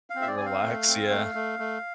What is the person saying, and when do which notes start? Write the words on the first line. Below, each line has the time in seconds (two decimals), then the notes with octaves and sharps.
Relax, yeah.
0.10 F5
0.15 C4
0.22 E5
0.27 D5
0.37 C4 G#5
0.46 F5
0.63 A3
0.88 C4
1.10 A3
1.35 A3
1.59 A3